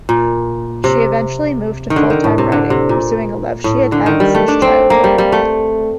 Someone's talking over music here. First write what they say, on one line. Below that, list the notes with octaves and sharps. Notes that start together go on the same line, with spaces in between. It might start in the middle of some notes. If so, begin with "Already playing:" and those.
She eventually moved to full-time writing, pursuing a love she had had since childhood.
A#2
C3
D#3
D3
D#3
A2
C3
D3
C3
A#2
A2
D3
D#3
G3
A3
D4
C4
A#3
G3
G3
A3